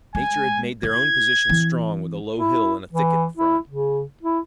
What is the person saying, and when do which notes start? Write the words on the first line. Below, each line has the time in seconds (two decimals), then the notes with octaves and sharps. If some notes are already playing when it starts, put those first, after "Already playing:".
Nature had made their own position strong with a low hill, and a thicket in front.
0.15 G#3 G#5
0.83 E4 G#6
1.49 E3 C4
2.37 E4
2.93 E3
3.37 E4
3.69 C#3
4.22 E4